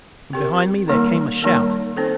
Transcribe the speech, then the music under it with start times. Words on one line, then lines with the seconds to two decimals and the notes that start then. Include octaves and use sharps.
From behind me there came a shout.
0.33 C4 G4 A#4
0.88 D#3 G3 A#3 D#4 A#4
1.42 D#3 G3 A#3 D#4 A#4
1.96 C4 D#4 A4 C5